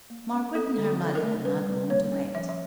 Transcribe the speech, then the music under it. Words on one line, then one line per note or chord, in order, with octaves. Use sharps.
Margaret and her mother had not long to wait.
A#3
C#4
C4 A4
D3
A4
F#3
A#4
A3
G3 B4
G3
A#3 C#5
C#4
F3 E5
E5